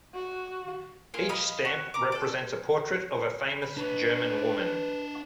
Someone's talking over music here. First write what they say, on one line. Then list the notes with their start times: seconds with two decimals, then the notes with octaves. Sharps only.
Each stamp represents a portrait of a famous German woman.
0.14 F#4
1.14 A#3 F4 G#4 F5
1.29 D#5 F5 B5 D#6
1.65 F#4
1.94 A#5 D6
2.12 A4 D5
3.62 B5
3.77 D4 B4 C#5